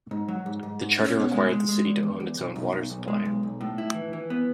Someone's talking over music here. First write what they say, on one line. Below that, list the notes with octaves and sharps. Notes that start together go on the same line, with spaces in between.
The charter required the city to own its own water supply.
G#2
F#3
G#2
G#2
G#2
C#4
B2
G#3
G#3
G#3
E2
E2
E2
B1
B1
B1
B1
G#3
B1
B1
A2
E4
E3
E3
B3